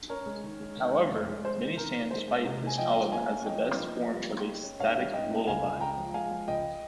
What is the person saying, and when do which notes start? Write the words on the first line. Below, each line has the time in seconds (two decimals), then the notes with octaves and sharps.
However, many fans cite this album as the best from A Static Lullaby.
0.09 C#4 A#4 C#5
0.26 G#3
0.43 D#3
0.60 G#3
0.77 D#3
0.94 G#3
1.10 F2
1.28 G#3
1.44 G#3 C5
1.61 D#3
1.77 D#3 A#4
1.94 D#3
2.11 G#3 C5
2.28 G#3
2.45 C3
2.62 G#3
2.67 G#5
2.78 F3 D#5 G5
2.95 C#4
3.12 A#3 F5 G#5
3.29 C#4
3.46 F3 D#5 G5
3.62 F3
3.79 A#3
3.96 F3
4.13 G3
4.29 A#3
4.46 G3
4.63 C#4
4.80 G#2 C#5 F5
4.97 G3
5.13 G#2 D#5 G5
5.30 A#3
5.47 C#2 F5 G#5
5.64 C#2
5.81 G#3 G5 A#5
5.97 F3
6.14 G#3 F5 G#5
6.31 F3
6.48 C#2 D#5 G5